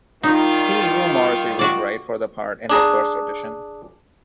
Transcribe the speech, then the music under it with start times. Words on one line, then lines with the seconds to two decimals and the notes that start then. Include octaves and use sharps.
He knew Morrissey was right for the part in his first audition.
0.23 D#3 G3 D#4 F4
1.59 F#4 D5
2.70 D4 G#4 A#5